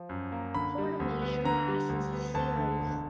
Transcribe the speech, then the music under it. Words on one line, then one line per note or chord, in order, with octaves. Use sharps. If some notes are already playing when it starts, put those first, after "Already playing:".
Funimation licensed the series.
Already playing: F3
F#2
A#3
D3 B5
G3
D2
B3
D3 A#5
G3
D2
B3
D2 A5
D3
E1